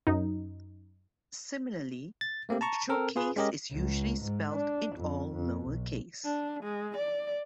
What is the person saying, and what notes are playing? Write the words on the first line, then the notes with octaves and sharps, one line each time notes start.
Similarly, Showcase is usually spelt in all lower case.
F#2 D#4
A6
A3 A#3 C4 G4
A5 A#5 C#6
C4 A4 A#4
F4 G#4 B4
G#3 C#4 G4 A#4 D#5
C#2
G#2
D4
F2
F2
B1
D4
G#3
D5